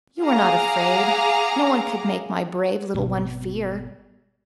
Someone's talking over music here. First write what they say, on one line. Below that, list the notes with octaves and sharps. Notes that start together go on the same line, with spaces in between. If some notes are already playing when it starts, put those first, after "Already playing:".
"You are not afraid--no one could make my brave little one fear."
G#4 F5 F#5 A#5 D6
G#1 B2